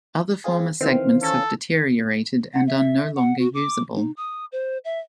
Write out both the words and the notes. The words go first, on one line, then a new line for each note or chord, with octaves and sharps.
Other former segments have deteriorated and are no longer usable.
C4 F4 G#4
D#3 E3 C4 C5 F5
C#4 A4
F#5
E5
F#5
F#4
D6
D#4
D#6
C5
E5